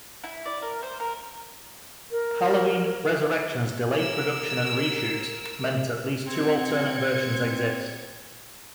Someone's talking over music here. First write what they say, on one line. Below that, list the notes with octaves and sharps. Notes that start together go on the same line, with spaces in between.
Halloween: Resurrection's delayed production and reshoots meant at least two alternate versions exist.
E4
D5
A#4
C5
A#4
A#4
A#4 E6
C4 G#6 C#7